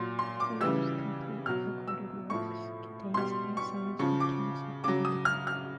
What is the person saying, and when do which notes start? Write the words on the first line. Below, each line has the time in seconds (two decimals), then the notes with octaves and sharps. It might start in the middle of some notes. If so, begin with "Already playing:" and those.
Fuller's "Complete Recorded Works" contains many songs with Council playing guitar.
Already playing: A#2 F#3 C6
0.19 C6
0.40 D6
0.61 C#3 E3 G3 E6
1.46 B2 F#3 F6
1.88 E6
2.30 A2 F3 C#6
3.14 B2 G3 C6
3.57 C#6
3.99 C#3 F3 C#6
4.20 D6
4.84 C#3 F#3 D6
5.05 D#6
5.25 F6
5.47 F6